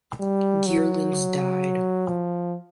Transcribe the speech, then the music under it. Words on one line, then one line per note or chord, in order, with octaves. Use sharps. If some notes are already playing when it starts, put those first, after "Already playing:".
Geerlings died.
G3
F#3
F3